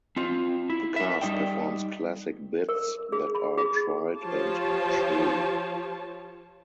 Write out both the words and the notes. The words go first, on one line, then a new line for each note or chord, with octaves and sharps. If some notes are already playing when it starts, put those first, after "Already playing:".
The cast performs classic bits that are tried and true.
C4 F4
E4
A#4 E5
G3 A#3 D#4 D5 G5
A#4
G#4
B5
G#4
F3 F4 G4 C#5 A5